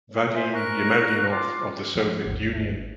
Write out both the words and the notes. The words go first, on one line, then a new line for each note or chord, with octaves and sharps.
Vadim Yemelyanov of the Soviet Union.
C5 E5 G#5
A#4 C#6 F#6
F4 D6
F3 G#3
G#1 D#2